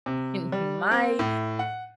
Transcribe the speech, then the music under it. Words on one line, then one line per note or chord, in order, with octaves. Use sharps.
in my
C3
G3
C4
A2
F#5